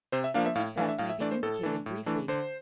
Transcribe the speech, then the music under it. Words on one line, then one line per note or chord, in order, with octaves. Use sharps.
Its effect may be indicated briefly.
C3 C5
E5
F3 A#3 D4 F5
E5
A2 F5
E3 A3 D4 F5
E5
A2 F5
E5
E3 A3 D4 D5
C5
A2 A4
E3 A3 D4
A2
E3 A3 D4
D3 C5